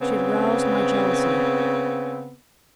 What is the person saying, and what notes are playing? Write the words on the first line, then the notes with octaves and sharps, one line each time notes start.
She had roused my jealousy.
C#3 B3 C4